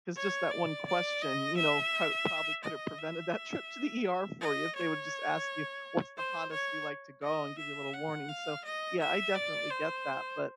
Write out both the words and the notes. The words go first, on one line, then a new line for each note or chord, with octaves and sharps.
'Cause just that one question, you know, could a probably could have prevented that trip to the ER for you, if they woulda just asked you "What's the hottest you like to go?" and give you a little warning, so, yeah, I definitely get that, but
C#5
D5
D5
D#5
E5
D#5
E5
D#5
C#5
C5
C#5
D#5
E5
F#5
F5
D#5
E5
D5
C5